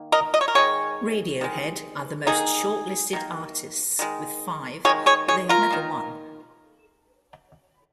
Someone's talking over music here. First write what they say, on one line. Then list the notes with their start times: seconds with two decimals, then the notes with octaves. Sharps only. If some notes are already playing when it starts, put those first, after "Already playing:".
Radiohead are the most shortlisted artists with five, but they have never won.
Already playing: D#3 A#3
0.12 A#4 D#5
0.34 D#5
0.41 C#5
0.48 A#4
0.55 D#3 G#3 G#4 C#5
1.41 D#3 G#3
2.27 D#3 A#3 D#4 G#4
3.13 D#3 A#3
3.99 D#3 G#3
4.85 D#3 G#4 C#5
4.89 G#3
5.06 G#4 C#5
5.28 G#4 C#5
5.49 F4 A#4
5.70 D#3 A#3